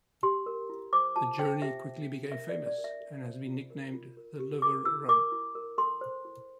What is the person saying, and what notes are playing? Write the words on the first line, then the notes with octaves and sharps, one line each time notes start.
The journey quickly became famous, and has been nicknamed the Liver Run.
G4 C6
A#4
E4
C5 D6
F4 A5
C5 G5
G4 E5
C5
D4
A#4 E5
D5
E4
D5
A#4
E5
A4
C5
F4
A#4
F4
A#4
G4
A#4 D6
E4 E6
A#4 D6
E4
A#4
A4 C6
C5
E4